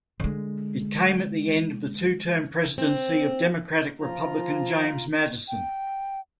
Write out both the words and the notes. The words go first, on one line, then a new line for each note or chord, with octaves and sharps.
It came at the end of the two-term presidency of Democratic-Republican James Madison.
D3 G#3
C4
F3 F4 A#5
G5